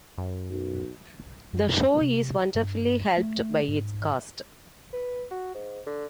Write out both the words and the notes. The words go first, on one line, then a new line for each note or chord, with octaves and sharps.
The show is wonderfully helped by its cast.
F#2
B1
F#2
C3
G2
A3
G#2
B4
F#4
G#2
D3